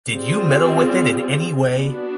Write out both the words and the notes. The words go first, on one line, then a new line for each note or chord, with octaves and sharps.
Did you meddle with it in any way?
G3 C4 F4 G#4
B3 D4 F#4